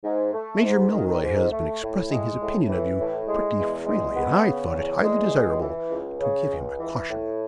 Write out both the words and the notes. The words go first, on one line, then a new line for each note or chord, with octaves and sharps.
Major Milroy has been expressing his opinion of you pretty freely; and I thought it highly desirable to give him a caution.
G#2
A3
G#2
D#3
G#2
A3
A2
G#3
A2
E3
A2
G#3
E2
G#3
B3
C#3
E2
G#3
C#2
E3
C#2
C#3
C#2
E3
A2